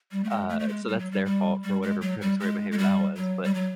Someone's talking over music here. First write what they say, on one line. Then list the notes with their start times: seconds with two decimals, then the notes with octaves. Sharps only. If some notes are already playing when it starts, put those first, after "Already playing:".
Uh, so that's their fault for whatever predatory behavior that was, but
0.12 G3
0.24 A3
0.30 G#3
0.49 A3
0.59 A3
0.68 G#3
0.88 G3
0.99 F#3
1.11 G3
1.26 G3
1.64 G3
1.83 G#3
2.01 F#3
2.21 G3
2.40 G#3
2.72 G#3
2.78 G3
3.17 F#3
3.44 G3
3.54 F#3